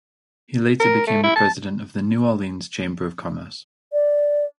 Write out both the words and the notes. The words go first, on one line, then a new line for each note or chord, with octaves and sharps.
He later became the president of the New Orleans Chamber of Commerce.
A#4
A3
E4
A5
D5